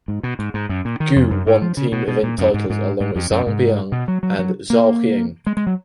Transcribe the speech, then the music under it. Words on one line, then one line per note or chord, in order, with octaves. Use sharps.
Gu won team event titles along with Zhang Bian and Zhou Ying.
G#2
B2
G#2
G#2
F#2
A#2
D#3
F2
F#2
G#2
F3
C#3
B2
B2
A#2
F#2
G#2
G#2
G#2
F2
F#2
G#2
B2
F#3
F#3
F#3
A#3
G#3
G#3
F#3